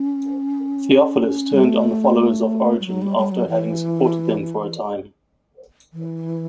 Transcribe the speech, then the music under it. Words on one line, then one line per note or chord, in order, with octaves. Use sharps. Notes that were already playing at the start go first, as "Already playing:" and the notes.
Theophilus turned on the followers of Origen after having supported them for a time.
Already playing: C#4
G3
A3
G3
F#3
G3
G3
F#3
E3
E3